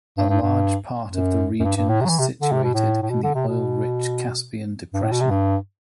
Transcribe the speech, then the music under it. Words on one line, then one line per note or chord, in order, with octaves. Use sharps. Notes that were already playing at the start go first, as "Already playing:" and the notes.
A large part of the region is situated in the oil-rich Caspian Depression.
G2
G2
G2
F#2
F#2
G2
G2
A2
C3
F#3
E3
C3
D3
C3
B2
A2
A2
B2
D3
C3
B2
G2
A2
B2
C3
G2